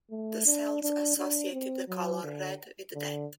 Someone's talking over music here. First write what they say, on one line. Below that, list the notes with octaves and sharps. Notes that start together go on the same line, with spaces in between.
The Celts associated the colour red with death.
A3
D4
D4
D4
C4
F#3
D3
D3